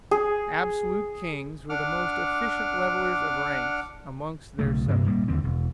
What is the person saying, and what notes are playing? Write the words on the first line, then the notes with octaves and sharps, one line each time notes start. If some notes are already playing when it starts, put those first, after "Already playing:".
Absolute kings were the most efficient levellers of ranks amongst their subjects.
G#4
D4 F#5 D6 F6
B1 C#3 A3
G2 C3 A#3
A#2 G3 A#3
D#2 D3 C4
E1